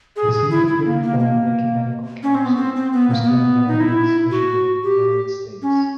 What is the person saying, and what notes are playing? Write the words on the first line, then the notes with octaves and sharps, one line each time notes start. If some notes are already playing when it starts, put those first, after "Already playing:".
The seat of the Reformed Ecumenical Council was Grand Rapids, Michigan, United States.
G#4
G#4
E4
E4
A#3
A#3
A#3
C#4
C4
B3
C4
C4
B3
A#3
A#3
B3
D#4
E4
F#4
G4
C#4